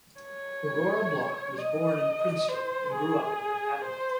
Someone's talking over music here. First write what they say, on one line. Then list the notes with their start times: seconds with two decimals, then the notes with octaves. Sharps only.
Aurora Block was born in Princeton and grew up in Manhattan.
0.21 C#5
1.58 D#5
2.49 C5
2.94 G#4
3.85 C5